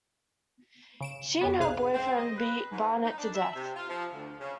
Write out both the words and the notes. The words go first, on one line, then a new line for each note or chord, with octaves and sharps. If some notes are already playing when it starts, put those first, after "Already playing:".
She and her boyfriend beat Barnett to death.
C#3 D7 E7
F2 C#3 B3
B1 C3 G#4 F5 F#6
C4
D#5
B4
G#2
D#4
D4
E5
C3
F4
F3
D2
C#3